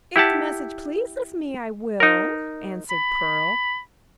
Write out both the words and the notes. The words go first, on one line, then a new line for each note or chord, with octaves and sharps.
"If the message pleases me, I will," answered Pearl.
E4 G4 F#5 A5
D#4 A#4
B5